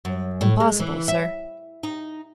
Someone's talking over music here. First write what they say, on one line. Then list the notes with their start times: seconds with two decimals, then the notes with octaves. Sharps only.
"Impossible, sir."
0.05 F#2
0.41 A2
0.60 G#3
0.80 E3
1.08 E5
1.83 D#4